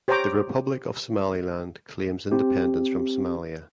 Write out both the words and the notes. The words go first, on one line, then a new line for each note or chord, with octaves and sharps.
The Republic of Somaliland claims independence from Somalia.
G4 C5 C#5 G5 A#5 D6
C4 G4